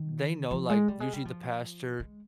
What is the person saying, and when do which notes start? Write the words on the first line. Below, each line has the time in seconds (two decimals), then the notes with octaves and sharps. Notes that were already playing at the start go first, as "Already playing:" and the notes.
they know, like usually the pastor
Already playing: D#3
0.51 F3
0.70 G#3
0.88 G3
1.00 G#3
1.13 G3
1.25 F3
2.00 G#3